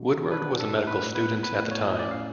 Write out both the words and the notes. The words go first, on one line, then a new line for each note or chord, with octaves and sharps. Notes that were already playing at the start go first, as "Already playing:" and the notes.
Woodward was a medical student at the time.
Already playing: B2 D4
D4 B4
A4
A2
B4
B3 B4
B4
A2
C#5
C#4 D5
F5